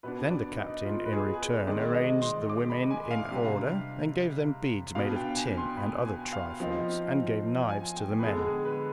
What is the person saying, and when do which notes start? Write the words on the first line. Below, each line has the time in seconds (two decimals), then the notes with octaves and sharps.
Then the captain in return arranged the women in order and gave them beads made of tin, and other trifles, and gave knives to the men.
0.03 B2 B3 D4 B4
0.30 D5
0.58 D#4
0.85 F4
1.05 B4
1.13 G#4
1.33 G#4
1.40 B4
1.67 D#3 G#3 C4 D#4 D5
1.94 D#5
2.22 C6
2.50 D6
2.70 B5
2.91 G#5
3.11 F5
3.31 C3 G3 D4
4.95 B2 B3 D4 F5
5.16 G5
5.36 G#5
5.58 C6
5.77 B5
6.05 G#5
6.33 F5
6.60 F3 C4 D#4
7.69 G#5
7.96 G5
8.19 B4
8.24 D3 G#3 B3 G#4
8.45 G#4
8.65 B4